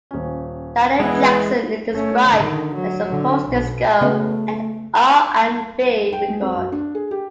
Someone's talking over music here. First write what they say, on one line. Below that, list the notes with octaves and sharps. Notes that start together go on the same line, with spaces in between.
"Janet Jackson" is described as a post-disco and R and B record.
D#1 C#4
E3 G#3 B3
A3 C#4
D3 D#3
F#3
D3
B1
C#3 A3 B3
G5
G#3
C4
F#2
D4
G#4
G4